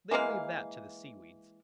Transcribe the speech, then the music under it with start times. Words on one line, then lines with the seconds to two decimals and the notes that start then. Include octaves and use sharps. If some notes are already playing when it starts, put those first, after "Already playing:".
They leave that to the seaweeds.
0.11 E3 G#3 A#3 F5